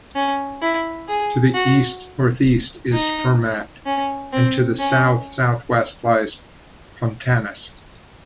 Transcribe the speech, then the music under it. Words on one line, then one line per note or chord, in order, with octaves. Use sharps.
To the east-northeast is Fermat, and to the south-southwest lies Pontanus.
C#4
E4
G#4
F#4
D#4
C#4
C4
C#4